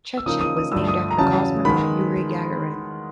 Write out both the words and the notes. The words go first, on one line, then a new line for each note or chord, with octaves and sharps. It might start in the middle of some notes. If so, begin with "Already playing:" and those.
Chechi was named after cosmonaut Yuri Gagarin.
E6
C#3 F3 A#3 D#4 D#6
D#6
D#6
G2 D3 F3 A3 E6
D#6
A#5
E2 C#3 F#3 A5
D#3 G#3 B3 B5